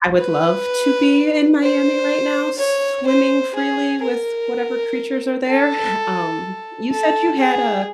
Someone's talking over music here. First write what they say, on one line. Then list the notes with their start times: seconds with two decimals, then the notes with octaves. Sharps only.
I would love to be in Miami right now, swimming freely with whatever creatures are there. Um, you said you had a
0.18 B4
1.62 C5
2.58 C#5
3.07 C5
3.55 G#4
4.02 A#4
5.47 A4
6.91 A4
7.39 G#4